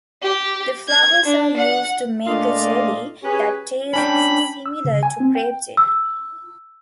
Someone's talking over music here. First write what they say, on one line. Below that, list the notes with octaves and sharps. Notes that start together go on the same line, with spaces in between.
The flowers are used to make a jelly that tastes similar to grape jelly.
G4
G#6
D4
F#5
A#2 A3 D4 F4 D5 D#5
C#4 G4 G#4 B4 C#5
C#4 D4 G5 B5
E6
C#3
G#5
C4
G5
E6